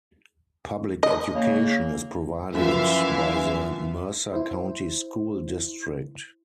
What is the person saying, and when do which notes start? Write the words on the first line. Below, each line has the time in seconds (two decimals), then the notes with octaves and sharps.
Public education is provided by the Mercer County School District.
1.03 D#5
1.35 C#3 A#3
2.55 F#2 E3 F3 E5 F5
4.34 E4 C5